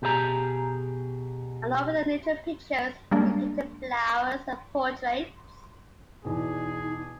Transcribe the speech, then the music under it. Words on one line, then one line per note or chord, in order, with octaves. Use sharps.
Along with nature pictures, he painted flowers and portraits.
B2 G4 G#4 D5 A#5
G3 G#3 A#3 D4
E2 B2 D#4 G#4